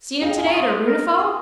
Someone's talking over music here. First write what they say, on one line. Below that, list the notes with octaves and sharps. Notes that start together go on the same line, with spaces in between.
Seen him today at a runefal?
F4 G#4
D#5 G5
F5 G#5
A#5 C#6
C6 D#6
A#4
C6 D#6